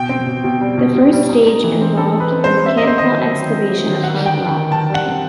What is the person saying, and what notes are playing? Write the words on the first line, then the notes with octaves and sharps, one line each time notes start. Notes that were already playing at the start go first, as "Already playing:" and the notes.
The first stage involved the mechanical excavation of hard rock.
Already playing: B2 G5
C4
B2
B2
G3
B2
B2
G3
D#4
D#4
E3
C4
C4 A4
D#4
B4
C4
C5
C4
C4 E5
D#5
C4 C5
D#3 D#5
F#3
D#3
C4
F#3
D#3
D#3 F#5
D#3
G5
D#3
G5
D#3
D#3 A5
G3
F#5
C4